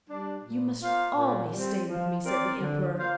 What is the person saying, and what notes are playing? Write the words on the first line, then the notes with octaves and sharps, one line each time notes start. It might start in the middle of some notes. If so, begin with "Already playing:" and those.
"You must always stay with me," said the Emperor.
G3 D4
A#2
A#3 F4 C5 F5
A#2
G3 C4
F3
C4 A#4 D5
D3
A#3 F4 C5 F5